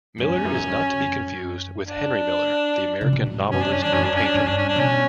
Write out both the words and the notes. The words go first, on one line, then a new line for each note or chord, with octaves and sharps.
Miller is not to be confused with Henry Miller, the American novelist and painter.
G2 C#4
F#2
E2
F#2
F#2
F#2
D4
C#3
B2
A2
G2
F#2 C#4
D4
C#4
E2 D4
F#2 C#4
D4
C#4
D4
G2 C#4
D4
C#4
D4
B2 C#4